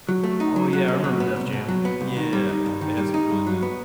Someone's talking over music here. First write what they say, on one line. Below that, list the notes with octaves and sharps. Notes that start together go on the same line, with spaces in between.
Oh yeah, I remember Def Jam. Yeah. They had some really good
F#3
A3
D#4
F#3
F#3
B2
F#3
B3
C2
B2
F#3
B3
C2
D#3
G3
D#4
G2
D#3
G3
D#4
G2
F#3
B3